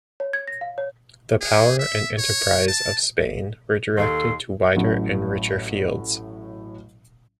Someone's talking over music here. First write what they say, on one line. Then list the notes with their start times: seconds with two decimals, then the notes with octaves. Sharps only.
The power and enterprise of Spain were directed to wider and richer fields.
0.20 C#5
0.33 G#6
0.48 A#6
0.61 F5
0.78 C#5
1.41 G#4
1.79 E5
2.18 C#5
2.68 A5
3.98 D#2 A4 C6
4.76 A1 A2 F#3